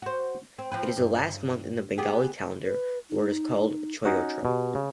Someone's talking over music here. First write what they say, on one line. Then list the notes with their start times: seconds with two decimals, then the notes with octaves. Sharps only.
It is the last month in the Bengali calendar, where it is called Choitro.
0.02 F#4 C5
0.58 C4
0.72 F3 C4 B4
0.97 G2
1.98 B3 G4 G#4
2.65 B4
3.10 D#4
4.05 C#4 D#4 F#4
4.45 B2 G4
4.75 C#3